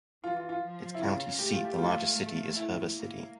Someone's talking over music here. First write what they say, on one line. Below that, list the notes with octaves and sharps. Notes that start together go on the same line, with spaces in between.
Its county seat and largest city is Heber City.
E3 F4
F4
F4
F3
E4
C#3 F4
A3 G4
F4
G4
A3 F4
E4
A#3